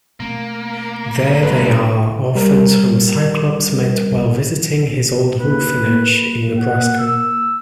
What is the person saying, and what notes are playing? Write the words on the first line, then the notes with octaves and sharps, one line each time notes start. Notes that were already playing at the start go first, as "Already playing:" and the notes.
There they are orphans whom Cyclops met while visiting his old orphanage in Nebraska.
B2 A3 A#3 C4
G#1 G3 A3 D4 B4
G3 A#4
D#2 B4
A#3
F#5
E6